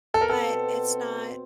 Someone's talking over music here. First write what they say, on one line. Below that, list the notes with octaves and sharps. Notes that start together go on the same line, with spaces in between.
but it's not
B2 A4
A#4
C4 A4
B2